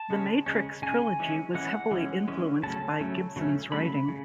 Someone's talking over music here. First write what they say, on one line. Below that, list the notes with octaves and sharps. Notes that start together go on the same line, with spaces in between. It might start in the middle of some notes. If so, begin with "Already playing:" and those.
The Matrix Trilogy was heavily influenced by Gibson's writing.
Already playing: A5
C#3 G#3 C#4
C#3 G#3 C#4
C#3 G#3 C#4 G#5
E3 G#3 C#4
E3 G#3 C#4 F#5
E3 G#3 C#4
E3 G#3 C#4
C#3 F#3 A3 C#4 A5
C#3 F#3 A3 C#4
C#3 F#3 A3 C#4
C#3 F#3 A3 C#4 B5
C#3